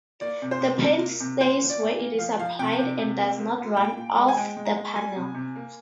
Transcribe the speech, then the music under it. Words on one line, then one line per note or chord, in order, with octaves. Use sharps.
The paint stays where it is applied and does not run off the panel.
A#3 D5
C3
C5
C3
C3 A#4
A#3
C3
A#2 C5
A#3
D5
A#2
A#3
F3 F5
F3 F5
C3 G5
C3
C3
A#3
A#3
A#3
A#2 G5
A#2
G#3
G#5
G#3 G5
G#3
A#5
G#3
G3 G#5
C3
C3
A#3